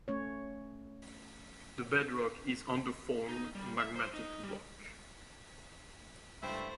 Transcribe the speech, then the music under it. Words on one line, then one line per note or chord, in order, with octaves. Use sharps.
The bedrock is undeformed magmatic rock.
A3 C#4 C#5
D#4
G3
E5
C5
D#4
G3
C#2 G2 A3 E4 C5 E5 G5